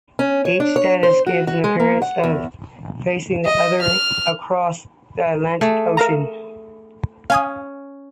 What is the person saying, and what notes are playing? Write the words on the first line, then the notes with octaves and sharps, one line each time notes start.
Each statue gives the appearance of facing the other across the Atlantic Ocean.
C#4
C#5
D4
C#5
C5
F#4
F#4
G#3
A#3
F#5
E2
D#5
F6
A3 G#4
A#4 F5 A#5
C#4 F5 G#5 D#6